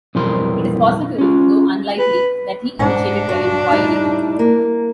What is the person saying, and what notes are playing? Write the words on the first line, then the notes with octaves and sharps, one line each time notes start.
It is possible, though unlikely, that he initiated the inquiry.
B1 F2 E3 G3 A#4 C6
C#4 F4
B4
G#2 D4 F#5
G2 F#4 F#5
A2 G3 D#4
A#3